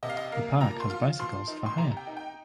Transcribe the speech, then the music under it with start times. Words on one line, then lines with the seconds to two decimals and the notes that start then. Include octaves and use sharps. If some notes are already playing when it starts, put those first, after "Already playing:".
The park has bicycles for hire.
0.03 C3 D#5
0.09 F5
0.17 D#5
0.32 A#3 F5
0.60 F3 A#5
0.80 C6
0.90 F4
1.19 F3 C6
1.48 D#4
1.66 C6
1.78 C3 A#5
1.97 G5
2.07 D#4
2.17 G5